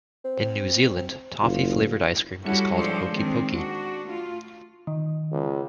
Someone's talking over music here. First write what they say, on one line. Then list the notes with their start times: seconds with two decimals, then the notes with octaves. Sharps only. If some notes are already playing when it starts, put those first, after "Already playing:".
In New Zealand, toffee flavoured ice cream is called "hokey pokey".
0.25 C4
1.42 F#1 F4
2.44 G3 C#4 E4 F#4 A4
2.73 F3 G#3 D4 A4 C5 C#5
3.11 D#3 G#3 C4 D4
3.52 D4 F#4
4.07 A3 F4
4.87 D#3
5.32 C#2